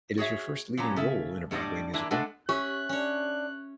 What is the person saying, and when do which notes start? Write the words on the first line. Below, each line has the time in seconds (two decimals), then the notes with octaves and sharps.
It is her first leading role in a Broadway musical.
0.18 F#4 G#4 C#5 E5
0.77 A#2 F3 B3 C#4 A#5
0.96 C#3 A4 E5
1.51 A2 G3 D4 F4 D#5
1.93 E3 G#3 A#3 D4 E4
2.11 G#3 A3 D4 A4 F#5
2.49 C#4 G4 E5 F#6
2.89 C#4 D4 C#5